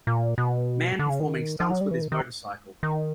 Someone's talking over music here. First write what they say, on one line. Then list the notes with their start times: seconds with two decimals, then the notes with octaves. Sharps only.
Man performing stunts with his motorcycle.
0.07 A#2
0.38 B2
0.99 D3
1.09 C#3
1.20 D#3
1.60 F3
1.70 F#3
1.81 G3
1.91 E3
2.01 D#3
2.12 D#3
2.83 D#3